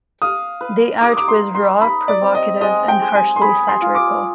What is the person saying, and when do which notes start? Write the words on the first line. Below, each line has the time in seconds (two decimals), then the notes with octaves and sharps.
The art was raw, provocative, and harshly satirical.
0.22 F5 D#6
0.61 B4
1.01 D#4 D6
1.17 D6
1.28 C6
1.41 D#4
1.55 C6
1.82 D#4 B5
2.08 D5
2.21 C4
2.35 D#5
2.61 G#3 D#5
2.88 G5
3.01 G#3
3.15 G#5
3.36 C6
3.42 G#4 B5
3.68 C6
3.82 F4
3.95 D6